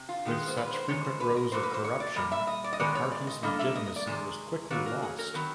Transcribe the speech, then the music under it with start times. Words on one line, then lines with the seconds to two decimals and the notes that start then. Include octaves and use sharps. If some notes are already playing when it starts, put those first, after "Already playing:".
With such frequent rows of corruption, the party's legitimacy was quickly lost.
Already playing: C3
0.09 F4
0.25 D#3 G#3 B3
0.48 C5
0.57 B4
0.73 C5
0.88 D#3 G#3 B3 C#5
1.04 C5
1.20 B4
1.36 A#4
1.52 B2 F#3 A#3 C5
1.63 B4
1.74 C5
1.84 C#5
2.00 D5
2.16 A#2 G3 D#5
2.32 E5
2.47 D#5
2.64 D5
2.73 D#5
2.79 D#3 G#3 B3 D5
2.95 C#5
3.12 D5
3.27 D#5
3.43 D3 G3 A#3 D#5
3.59 E5
3.76 D#5
3.86 D#5
3.96 D5
4.07 C3 D#3 G#3
4.70 D#3 F#3 A#3 B4
4.86 A#4
5.02 G#4
5.19 A#4
5.34 D#3 F#3 B3